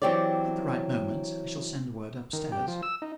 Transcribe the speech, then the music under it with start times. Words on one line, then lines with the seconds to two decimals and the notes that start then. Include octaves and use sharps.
At the right moment, I shall send word upstairs.
0.02 E3 F#3 C4 G4 C#5 D5
2.33 D#3
2.52 G4
2.68 F3
2.83 E6
3.02 D#4